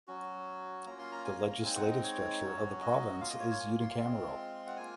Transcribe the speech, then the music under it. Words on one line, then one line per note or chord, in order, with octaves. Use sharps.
The legislative structure of the province is unicameral.
F#3 C#4 F#4
A#3 C#4 F4 A#5
C6
A#5
G#5
A#5
A#5
G#3 C4 D#4 G#5
F#5
D#5
C#5
F#3 C#4 F#4
D#5
A#3 F4 F5
D#5
C#5
C#5
G#5
C6
G#3 C4 F4
F#5
A#3 F4 G#5